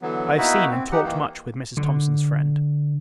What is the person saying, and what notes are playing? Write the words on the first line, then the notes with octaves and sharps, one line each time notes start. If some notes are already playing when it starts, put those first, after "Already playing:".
I have seen, and talked much with, Mrs. Thomson's friend.
D3 E3 F#3 B3
A#3 B3 D#4 E4 F#4 B4
C4
D#4 G4 F#5
D#3 E3 A#3
D3